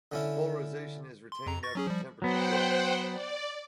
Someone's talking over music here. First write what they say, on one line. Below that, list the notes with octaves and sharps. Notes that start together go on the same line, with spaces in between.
The polarization is retained after the temperature drops.
D3 C#4 E4
C6
F2 A#5
C#6 A6 A#6
F#3 C#4 G#4
F3 G3
F#3 B3 C5 F#5 G5
D5